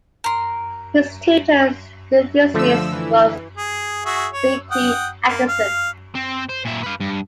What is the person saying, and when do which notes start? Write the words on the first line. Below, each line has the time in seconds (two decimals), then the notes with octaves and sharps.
His tutor during these years was C. T. Atkinson.
0.24 A#4 C6
2.54 D3 F3 A3 E6
2.92 E3
3.57 G#4
4.05 F#4 G#4 E5
4.33 C#5
4.71 F#5 G5 D#6
5.27 A#3
5.48 F5
6.15 C4
6.49 C5
6.65 A#2 E5
6.83 B4 F5
7.00 G2